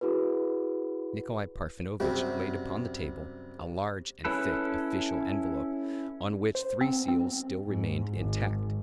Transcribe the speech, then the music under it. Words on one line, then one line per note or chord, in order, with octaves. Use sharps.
Nikolay Parfenovitch laid upon the table a large and thick official envelope, on which three seals still remained intact.
E4 F#4 G#4 B4
F#2 C3 G3
C#4 E4 A4 B4
C5
C4
C4
G#2
G#1